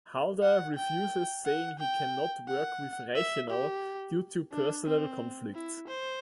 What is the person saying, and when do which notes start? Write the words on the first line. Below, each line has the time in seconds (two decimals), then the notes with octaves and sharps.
Halder refuses saying he cannot work with Reichenau due to personal conflicts.
0.42 F#5
0.76 G5
1.45 F#5
1.79 G5
2.48 F#5
3.16 E5
3.50 G4
4.52 D4
4.86 C4
5.54 E4
5.88 C5